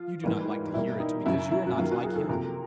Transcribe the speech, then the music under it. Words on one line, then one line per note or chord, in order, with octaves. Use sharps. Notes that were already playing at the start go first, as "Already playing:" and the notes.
You do not like to hear it because you are not like him.
Already playing: F3 F4
G#2 E3 G3 A#3
B2 G3 A#3 E4
D#4
F#2 C#3 F#3 E4
E4
F#4
F#2 D#3 F#3 A#3 F4
F#4
G#4
A4
C3 F3 A#3 A#4